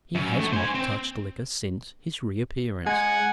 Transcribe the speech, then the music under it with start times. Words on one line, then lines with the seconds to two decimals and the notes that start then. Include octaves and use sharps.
He has not touched liquor since his reappearance.
0.15 F#2
0.39 D2 A3
0.53 C5 G#5
0.74 C4
2.86 G#3 F#5 G#5